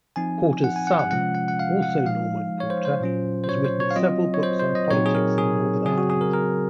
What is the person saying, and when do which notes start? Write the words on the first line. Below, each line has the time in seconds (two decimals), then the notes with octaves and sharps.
Porter's son, also Norman Porter, has written several books on politics in Northern Ireland.
0.16 F3 C4 D#4 G#5
0.64 F#5
0.76 G#5
0.87 F#5
0.99 F#5
1.11 C3 F3 G#3 C#4 F4 F#5
1.35 F#5
1.48 F#5
1.59 F5
1.83 F#5
2.06 F3 G#3 D#4 F5
2.60 C#5
2.70 C5
2.85 C5
3.01 A#2 F#3 C#4 F4
3.44 C5
3.49 C#5
3.65 C5
3.80 C#5
3.91 F5
3.96 F#3 C4 F4 D#5
4.34 C#5
4.43 C5
4.60 C5
4.75 D#5
4.91 A#2 F#3 C4 D#4 C#5
5.06 G#4
5.15 A#4
5.38 G#4
5.85 C#3 F#3 C4 G#4
5.98 F#4
6.10 G#4
6.21 A#4
6.33 A#4